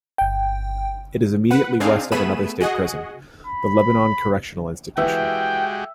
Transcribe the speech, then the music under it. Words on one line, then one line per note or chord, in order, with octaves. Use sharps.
It is immediately west of another state prison, the Lebanon Correctional Institution.
G1 G5
B4 F#5
C4 D4 D#4 G#4 F5
A3 B3 G#4 B5 D#7 E7
F#4 G#4 D#5 F#5
B5
E3 G#3 F#4 G4 E5 G5